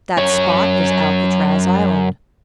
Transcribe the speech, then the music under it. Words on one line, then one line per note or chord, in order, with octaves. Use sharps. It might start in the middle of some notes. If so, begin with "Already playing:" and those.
That spot is Alcatraz Island.
F#2 C#5